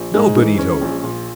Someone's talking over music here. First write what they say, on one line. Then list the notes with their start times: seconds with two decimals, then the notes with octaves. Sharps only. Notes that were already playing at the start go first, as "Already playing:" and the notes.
No, Benito!
Already playing: A#1
0.14 G#2 G#3
0.37 E3
0.58 C#4
0.81 A#1
1.03 A#2